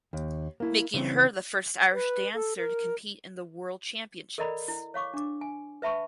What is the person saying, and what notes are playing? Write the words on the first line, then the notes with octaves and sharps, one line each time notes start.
Making her the first Irish dancer to compete in the World Championships.
D#2
A#3 E4
C#3 E3 A3 C4 D4
B4
A4
A#4
A4 A#4 D5 D#5 A#5 B5
E4
C#5 F5 C#6 D6
D4 D6
G#5
B4 E5 A5 B5 C#6